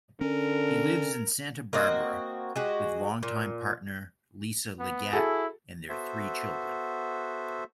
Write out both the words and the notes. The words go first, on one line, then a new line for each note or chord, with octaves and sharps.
He lives in Santa Barbara with longtime partner Lissa Liggett and their three children.
D3 C#4 A#4
A#3 C4 F#4 D#5
G#3 F#4 G4
A#2
B3
E4 F#4 G#4 A4
B3 F#4 A4 C5 E5